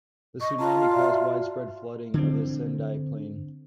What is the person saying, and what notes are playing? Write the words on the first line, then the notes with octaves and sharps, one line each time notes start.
The tsunami caused widespread flooding of the Sendai plain.
D#5 C#6
F4 D#5 A5 A#5
F#4 D5 E5
D3 C4